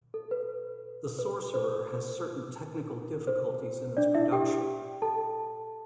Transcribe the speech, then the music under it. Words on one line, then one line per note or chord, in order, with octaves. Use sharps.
"The Sorcerer" has certain technical difficulties in its production.
A4
B4
B4
C5
C5
D4 D5
E4 E5
G4 G5
A4 A5